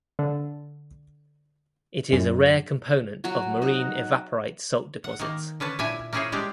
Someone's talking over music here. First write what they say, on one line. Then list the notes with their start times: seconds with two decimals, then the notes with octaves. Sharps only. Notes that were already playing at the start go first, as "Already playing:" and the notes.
It is a rare component of marine evaporite salt deposits.
0.19 D3
2.13 F#2
3.24 F#3 F#4
3.62 D#4 F#4
5.04 F#5
5.19 D#3 A#3
5.60 D3 C#4 B4 A5
5.79 A#2 D4 E4 E5 G#5
6.13 A#3 C#4 E4 G#4 C5 C#5
6.32 G3 G#3 D4 G4